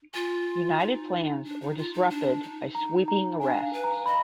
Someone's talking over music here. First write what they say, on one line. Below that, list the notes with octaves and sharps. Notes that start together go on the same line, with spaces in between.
United plans were disrupted by sweeping arrests.
F4 G#5
D#4
D4
D#4
F4
D#4
D4
D#4
D#4 A#5
A#5
D4 G#5
F5
B4
A#5
D#5 B5